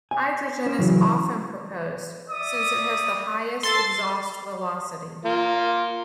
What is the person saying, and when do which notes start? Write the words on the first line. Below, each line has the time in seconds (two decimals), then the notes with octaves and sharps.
Hydrogen is often proposed since it has the highest exhaust velocity.
0.11 G#5
0.66 C#4 C5
0.79 C#3 E3 F#3
2.30 D5 E5 D#6
3.63 A4 C6 A6
5.25 A#3 F4